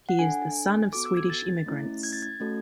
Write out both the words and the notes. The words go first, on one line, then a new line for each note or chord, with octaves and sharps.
He is the son of Swedish immigrants.
F#5
D4 A4 G#5
B3 F#4 A4 D6
E6
G#6
A6
A3 C#4 E4
G#6
A6
G#6
A3 C#4 F#4 A4